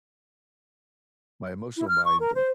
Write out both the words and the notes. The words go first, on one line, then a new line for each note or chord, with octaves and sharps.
my emotional mind
E4
F6
C#6
A#4
C5